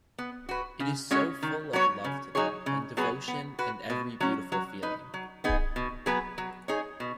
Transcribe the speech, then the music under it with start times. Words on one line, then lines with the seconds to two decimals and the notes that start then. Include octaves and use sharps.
It is so full of love to them and devotion and every beautiful feeling.
0.19 B3
0.49 F#4 B4
0.80 C#3
1.11 G#3 C#4 F#4 C#5
1.43 D#3
1.73 F#3 B3 F#4 C#5
2.04 C#3
2.35 F#3 D#4 G#4 C#5
2.66 C#3
2.97 F#3 B3 G#4 B4
3.28 B3
3.59 F#4 B4
3.90 B2
4.20 F#3 C#4
4.52 F#3
4.83 D#4 B4
5.14 F#3
5.44 B3 D#4 G#4
5.76 B2
6.06 F#3 B3 G#4 B4
6.38 F#3
6.68 D#4 G#4 C#5
7.00 B2